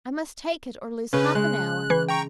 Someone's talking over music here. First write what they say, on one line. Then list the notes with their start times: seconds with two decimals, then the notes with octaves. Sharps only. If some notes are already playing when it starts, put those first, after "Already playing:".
I must take it or lose half an hour.
1.13 C#3 C#4 B4
1.35 G#3 F#6
1.90 E3
2.08 G5 A#5 C#6